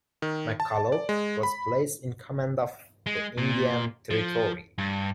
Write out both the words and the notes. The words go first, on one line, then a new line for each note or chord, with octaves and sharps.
McCulloch was placed in command of the Indian Territory.
D#3
A5
D5
G#3
B5
G#3
A#2
F3
G2